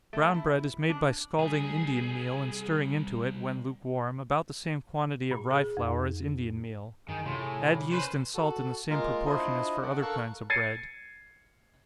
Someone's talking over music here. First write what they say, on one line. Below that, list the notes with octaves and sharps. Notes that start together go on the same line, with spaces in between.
Brown bread is made by scalding Indian meal, and stirring into it, when lukewarm, about the same quantity of rye flour as Indian meal--add yeast and salt in the same proportion as for other kinds of bread.
A3
E4
D4
C2 G3 G#4
A#2
G#4
F2
G2 D#3 G#4
A2 C3 F4
G#4
G3
C#4 B4 C5
F#4 A4
G#3 A#3 F4 A#4 F5
D4 E4 F4 C5 D#5
D4 D5 F#5
A4 A#4 F5 C#6 E6 F#6
G#6 A6 C7 C#7 D#7